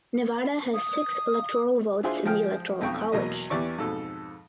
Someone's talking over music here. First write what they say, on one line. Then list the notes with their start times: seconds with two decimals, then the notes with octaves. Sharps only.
Nevada has six electoral votes in the Electoral College.
0.74 D#6
2.03 D4 E4 F4 G#4 C5 C6
2.25 F3 G#3 G5 F6
2.81 B1 F2 G5 C#6
3.12 E2 B2 F#3 A#3 D#5
3.50 E2 E3 G4 D5 E5 C#6
3.78 F2 G#2 B2 A4